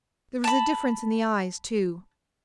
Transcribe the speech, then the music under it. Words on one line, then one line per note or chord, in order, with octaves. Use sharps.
There was a difference in the eyes, too.
A5 B5